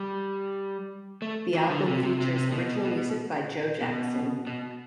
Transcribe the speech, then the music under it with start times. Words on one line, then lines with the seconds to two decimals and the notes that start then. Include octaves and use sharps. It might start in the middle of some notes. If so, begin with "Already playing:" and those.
The album features original music by Joe Jackson.
Already playing: G3
1.22 A3
1.54 E3
1.70 D3
1.88 C3
2.03 C3
2.20 C3
2.35 C3
2.52 B2
2.85 B2
3.82 B2
4.47 B2